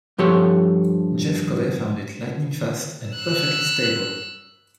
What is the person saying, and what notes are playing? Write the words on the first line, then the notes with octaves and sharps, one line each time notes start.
Jeff Covey found it "lightning fast and perfectly stable".
G2 F3 G4 A4 C#5
E6 F#6